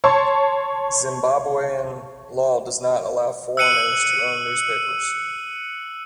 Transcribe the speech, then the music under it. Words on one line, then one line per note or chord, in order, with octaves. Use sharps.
Zimbabwean law does not allow foreigners to own newspapers.
C#5 A5 C6 C#6
E6 F#6 C#7 D#7 F#7